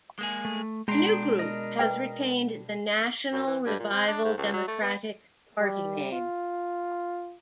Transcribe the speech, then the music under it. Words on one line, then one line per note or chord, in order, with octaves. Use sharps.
The new group has retained the National Revival Democratic Party name.
G#3 A#3 G#4
A3
B2 G#3 D4 G5 A#5 C6
A#4 D#5
B4 G5
F#2
E3
G2
A#2
C4
D4
G#2
C#2
F#3
A3
B3
G3
F4